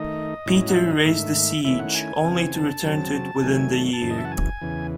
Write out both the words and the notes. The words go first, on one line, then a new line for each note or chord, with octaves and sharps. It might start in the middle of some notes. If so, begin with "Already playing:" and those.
Peter raised the siege, only to return to it within the year.
Already playing: D#3 A3 D#4 D#5
A2 F#3 C#4 E4
F#5
E5
D#5
G#2 D#3 A3 E5
D#3 A3 C#4 E4 E5
F#5
G#5
C#3 E3 C4
A5
C#3 F#3 C4
D#3 F#3 A3 G#5
A5
A5
F#2 C#3 E3
D#5
E5
F#5
G#5
E2 C#3 E3